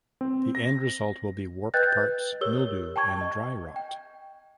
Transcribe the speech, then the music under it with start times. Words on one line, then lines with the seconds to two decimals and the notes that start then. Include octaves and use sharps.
The end result will be warped parts, mildew, and dry rot.
0.21 C4
0.55 A#6
1.74 B4 D#5 G5 F#6 G6 A6
2.41 G4 A#4 C#5 E6 G7
2.96 G5 A5 C#6 G#6
3.21 D#5
3.76 G5